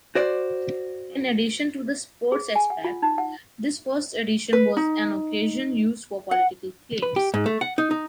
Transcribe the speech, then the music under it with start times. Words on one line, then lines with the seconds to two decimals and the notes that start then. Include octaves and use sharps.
In addition to the sports aspect, this first edition was an occasion used for political claims.
0.15 F#4 C5 D5
2.32 G#4
2.55 G#5
2.70 F#5
2.84 F4
3.02 D#4
3.18 F#5
4.53 B4
4.77 D#4
6.31 F#5
7.02 B4
7.16 G4
7.34 G#2
7.46 A3
7.61 F#5
7.78 D#4
7.91 D#4